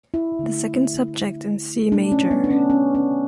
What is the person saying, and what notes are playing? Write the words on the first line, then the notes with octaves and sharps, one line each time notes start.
The second subject in C major.
E4
D3 A3
B2 F#3 A3 D4
C#4
B3
D4
C#4
C#4
C#4